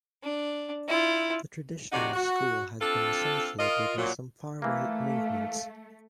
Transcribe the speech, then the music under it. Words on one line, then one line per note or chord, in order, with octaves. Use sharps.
The Traditionalist School has been associated with some far right movements.
D4
E4 F4
F2 C3 D#4 F#4 D5 F#5
F#4
C4 D4 F4 A4
F4 A#4 D#5
A#2 F#3
E3 A3 A#3 F5